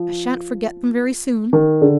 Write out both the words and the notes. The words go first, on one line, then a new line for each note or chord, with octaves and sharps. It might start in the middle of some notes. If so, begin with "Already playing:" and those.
I shan't forget them very soon.
Already playing: F3
D#3
D3